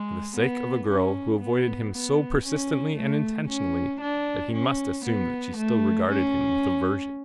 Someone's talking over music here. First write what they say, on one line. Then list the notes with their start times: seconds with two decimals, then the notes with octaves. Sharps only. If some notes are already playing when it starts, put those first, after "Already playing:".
For the sake of a girl who avoided him so persistently and intentionally that he must assume that she still regarded him with aversion.
Already playing: G#3
0.36 B3
0.88 C#4
1.40 B3
1.93 B3
2.45 C#4
2.96 A3
3.49 C#4
4.01 D4
4.53 C#4
5.05 B3
5.57 A3
6.09 C#4